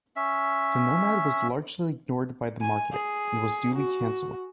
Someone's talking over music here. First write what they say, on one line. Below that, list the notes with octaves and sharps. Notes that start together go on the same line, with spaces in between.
The Nomad was largely ignored by the market, and was duly cancelled.
C#4 E5
G#5
G#4
F#4